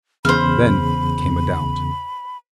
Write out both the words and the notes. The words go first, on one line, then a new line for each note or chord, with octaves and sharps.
Then came a doubt.
E2 C#3 C5 B5 F6